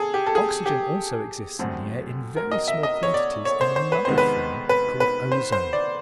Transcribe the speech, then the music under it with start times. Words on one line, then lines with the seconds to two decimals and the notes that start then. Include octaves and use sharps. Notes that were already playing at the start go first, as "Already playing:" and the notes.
Oxygen also exists in the air in very small quantities in another form called ozone.
Already playing: G#4 A4
0.14 G4
0.27 A4
0.35 G#4
0.66 G4
1.59 F#2 D3 F#3 A3 C4
2.36 A#4
2.51 D#5
2.68 E5
2.83 D#5
3.03 C#5
3.14 D5
3.45 C#5
3.61 C5
3.76 C5
3.92 B4
4.05 E2 C3 D#3 G#3 B3 C5
4.18 B4
4.69 B4
5.00 B4
5.32 C5
5.52 C5
5.73 D5